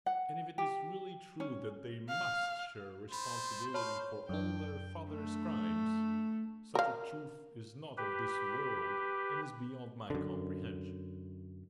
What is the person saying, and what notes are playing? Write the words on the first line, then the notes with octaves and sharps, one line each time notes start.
And if it is really true that they must share responsibility for all their fathers' crimes, such a truth is not of this world and is beyond my comprehension.
F#5
G4
C#4
F5
A3 C5 B5
C#5 F5 A5 B5 F6
F#2 D4 G5
A3
A#4 F5
G4 B4
F#2 D3